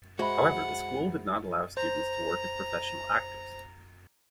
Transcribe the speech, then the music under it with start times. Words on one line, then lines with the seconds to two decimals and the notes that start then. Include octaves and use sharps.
However, the school did not allow students to work as professional actors.
0.19 G#3 F#4 C5 E5 F#5 B5
1.77 C5 A#5